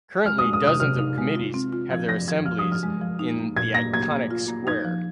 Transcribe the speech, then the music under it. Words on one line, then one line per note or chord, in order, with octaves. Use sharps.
Currently, dozens of committees have their assemblies in the iconic square.
G#3 F6
D#6
G#3
D#6
C3
D#6
C3 F6
D#4
G#3
F4
C4
F4
F3 G#6
F3 A#6
F3 G#6
F3 F6
D#6
F3
F6
G#3
F3
D#4
A#3
A#2 G#6
A#3 A#6
A#3 G#6
A#3
F4
A#3
D#4 G#6
F3